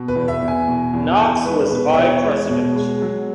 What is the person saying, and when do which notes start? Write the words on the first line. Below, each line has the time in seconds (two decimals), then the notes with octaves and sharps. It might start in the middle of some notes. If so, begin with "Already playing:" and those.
Knox was Vie President.
Already playing: B2
0.08 B4
0.15 E2
0.28 E5
0.41 E2
0.48 G#5
0.68 B2
0.93 E2
1.19 E2
1.45 G#3 B4
1.71 B2 B4
1.93 E5
1.97 E2 C#5
2.24 G#3
2.49 B2
2.76 G#3
3.02 F#3